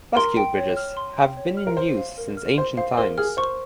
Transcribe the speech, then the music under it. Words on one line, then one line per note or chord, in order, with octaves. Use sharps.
Bascule bridges have been in use since ancient times.
A#4 C6
G5
C#5
F6
C6
G5
C#5
F6
A#4
C5 C6
F5
A#4
F6
C5 C6
C5 F5
A#4 C5
G#4 F6
C5 C#6